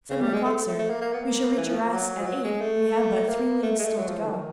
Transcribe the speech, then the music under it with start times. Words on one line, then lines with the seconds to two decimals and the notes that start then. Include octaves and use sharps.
"Seven o'clock, sir; we shall reach Arras at eight; we have but three leagues still to go."
0.10 C#3
0.21 G3
0.34 G#3
0.45 A3
0.56 A3
0.68 A3
0.79 A3
0.90 A#3
1.01 A#3
1.13 B3
1.24 A#3
1.58 E3
1.69 F3
1.92 F#3
2.21 F3
2.26 F#3
2.44 G#3
2.61 A3
3.29 A#3
3.63 A3
3.79 G#3
3.85 A3
3.97 F#3
4.08 F3
4.20 E3
4.26 D3
4.31 D#3